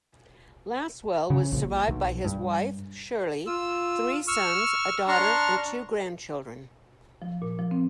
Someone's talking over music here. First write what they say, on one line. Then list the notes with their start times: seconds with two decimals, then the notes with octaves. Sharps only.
Lasswell was survived by his wife, Shirley, three sons, a daughter and two grandchildren.
1.30 C#3
1.52 A#1
1.88 B1
2.25 G2
3.46 F4 E6
4.28 C#6 E6 F6
5.08 D4 A5 A#5 C6 C#6 F6
7.22 F3
7.42 A#2
7.59 F3
7.71 C4